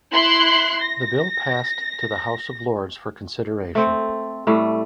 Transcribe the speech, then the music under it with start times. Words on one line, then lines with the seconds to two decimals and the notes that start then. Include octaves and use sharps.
The bill passed to the House of Lords for consideration.
0.13 E4 C6 F#6
0.83 A#6
3.75 A3 C4
4.47 A2 G3 A3